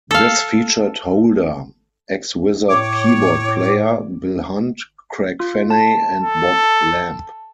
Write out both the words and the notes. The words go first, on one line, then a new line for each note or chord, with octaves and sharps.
This featured Holder, ex-Wizzard keyboard player, Bill Hunt, Craig Fenney and Bob Lamb.
A4 F5
A2 C#5 D6
F4
A5
A4